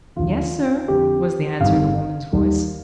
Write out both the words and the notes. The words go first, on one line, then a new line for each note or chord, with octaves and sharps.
"Yes, sir," was the answer, in a woman's voice.
D#2 D3 F3 F4
F2 D3 F3 G4
G1 F2 D#3 G3 F5
D#2 D#3 G3